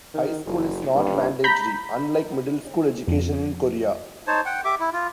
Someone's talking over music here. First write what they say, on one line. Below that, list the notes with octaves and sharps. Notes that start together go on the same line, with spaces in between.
High school is not mandatory, unlike middle school education in Korea.
D#3
F#1
D#1 G2
A#5 B5 G6 B6
F2
D#4 C5 C#5 A5
F#5 G5
G4 E5 D6
E4
F4